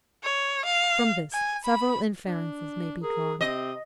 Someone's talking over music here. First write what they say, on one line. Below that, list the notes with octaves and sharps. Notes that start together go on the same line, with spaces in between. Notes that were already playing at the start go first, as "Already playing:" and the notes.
From this several inferences may be drawn.
C#5
F5
G#5
B5
D4
G#4 A#4
C3 C4 D#5